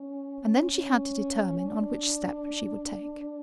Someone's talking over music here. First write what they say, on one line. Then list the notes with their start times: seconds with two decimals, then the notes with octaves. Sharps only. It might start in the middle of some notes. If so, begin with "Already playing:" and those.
And then she had to determine on which step she would take.
Already playing: C#4
0.42 C#4
0.73 C#4
1.66 D4